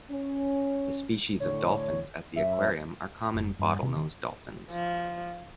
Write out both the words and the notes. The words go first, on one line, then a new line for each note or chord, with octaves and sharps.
The species of dolphins at the aquarium are common bottlenose dolphins.
C#4
A2 D3 C#5
F#2 E5
F#1
G2
C3
D#3
F3